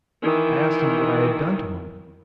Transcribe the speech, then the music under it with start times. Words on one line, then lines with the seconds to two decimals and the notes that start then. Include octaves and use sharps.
I asked him what I had done to him.
0.22 D#3 E3